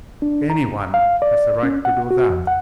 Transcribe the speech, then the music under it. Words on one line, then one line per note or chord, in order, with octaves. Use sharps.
Any one has a right to do that.
D4
A#5
F5
D5
C#4
F#5
F#4
F2
F#5